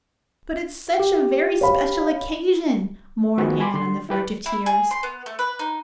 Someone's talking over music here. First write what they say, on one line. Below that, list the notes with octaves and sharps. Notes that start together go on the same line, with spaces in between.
"But it's such a very special occasion," mourned Anne, on the verge of tears.
G4
C#5 F5 B5
D#3 F3 B3 F#4 G#4 B4
G#5 B5 C6 D6
D3 C6
E4 G4 B4
E4
G#4
C6
B3
A3
B4
D#4